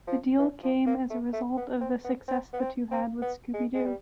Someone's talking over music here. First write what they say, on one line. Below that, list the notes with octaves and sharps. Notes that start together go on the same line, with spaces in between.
The deal came as a result of the success the two had with Scooby-Doo!
F3
E3
F3
A#3
A3
A3
B3
C4
B3
C4
B3
C4
C4
B3
G#3
G#3
G3